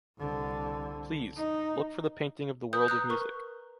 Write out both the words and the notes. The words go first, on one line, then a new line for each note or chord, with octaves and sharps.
Please, look for the painting of the World of Music.
C2 D3
D#4
B4 D#6 G6
A#5 D#6 F#6
A#4 B4 C#6 F#6